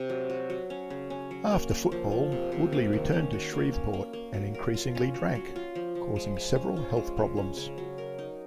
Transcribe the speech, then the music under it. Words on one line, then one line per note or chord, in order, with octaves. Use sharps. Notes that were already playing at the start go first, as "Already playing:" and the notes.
After football, Woodley returned to Shreveport and increasingly drank, causing several health problems.
Already playing: C3
F#3
F#4
F#3
C#4
C#3
C#4
F#3
A#3
A#3
F3
A#3
C3
C3
A#3
D#3
C#4
F#4
A#3
C#4
A#3
A#3
F#3
A#4
F4
C#4
F#3
F#3
F4
F3
F3
G#3
G#3
C#4
F4
G#3
C#3
C#4
C#3
F#3
A#4
D#4